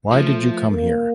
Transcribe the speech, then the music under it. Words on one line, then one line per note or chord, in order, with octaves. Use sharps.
Why did you come here?
F3 A3
A3
A#3